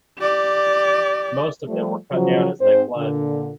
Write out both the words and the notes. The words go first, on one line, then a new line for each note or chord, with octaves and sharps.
Most of them were cut down as they fled.
G4 D5
F3 G3 A3
C#3 F3 F#3
G#2 C4 C5
A#2 D3